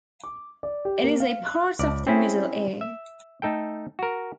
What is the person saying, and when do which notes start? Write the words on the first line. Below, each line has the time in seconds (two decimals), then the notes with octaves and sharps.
It is a part of the middle ear.
0.24 D6
0.63 D5
0.85 G4
1.04 A#3
1.20 F5
1.46 F#6
1.79 C#2 D5
2.07 C4 C#4 E4 G#4
2.81 E5
3.42 A3 D#4 A4 G5
3.99 F#4 A#4